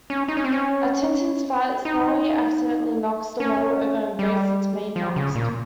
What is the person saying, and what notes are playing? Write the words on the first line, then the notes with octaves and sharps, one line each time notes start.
At Tintin's flat, Snowy accidentally knocks the model over and breaks its mainmast.
C#4
D#4
C#4
C4
C#4
D#4
C#4
G3
F3
C#3
A#2